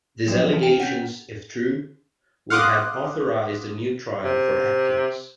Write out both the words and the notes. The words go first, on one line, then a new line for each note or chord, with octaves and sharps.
These allegations, if true, would have authorized a new trial for Atkins.
F#2 F3 D4 F4 C#5 D5
E3 F4 A5
G5
C#4 F#5 G6
F5 F#5 C6 D6 D#6 F#6
C3